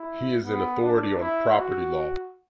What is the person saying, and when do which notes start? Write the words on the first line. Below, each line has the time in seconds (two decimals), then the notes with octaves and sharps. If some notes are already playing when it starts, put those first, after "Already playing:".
He is an authority on Property Law.
Already playing: E4
0.44 B3
0.82 D4
1.20 E4
1.57 F#4